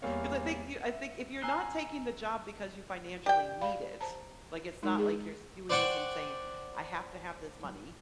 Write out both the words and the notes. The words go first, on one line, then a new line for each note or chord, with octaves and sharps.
'Cause I think you I think if you're not taking the job because you financially need it, like, it's not like you're doing this and saying, "I have to have this money"
E2 G3 A#3 C#5 F5
E5
G#5 A#5 E6 F#6 C7 G7
G4 D5 G5
D5 F5 B5
C5 A5 A#5
G#3 D#4 A#4
G#4
D4 C5 D5 F#5 G5 C#6